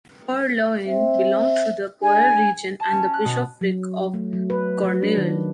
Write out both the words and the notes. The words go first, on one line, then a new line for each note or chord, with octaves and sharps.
Poullaouen belonged to the Poher region and the bishopric of Cornouaille.
C4 E5
D4 G#4 G#5
A5
C#4
F#6
B2
F#3
A3
F#3
B4
F#3
D4
D#3